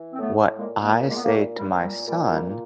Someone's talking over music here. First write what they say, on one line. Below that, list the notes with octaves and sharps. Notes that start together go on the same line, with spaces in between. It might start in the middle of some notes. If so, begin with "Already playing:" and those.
What I say to my son
Already playing: E3
C4
A2 A3 B3
A#2 G#3 A#3
G#3 A#3
A#2
G#3 A#3
B3
A#3
A#2 G3 A3
G3
A#2
G3
A#2 G3
G3
A#2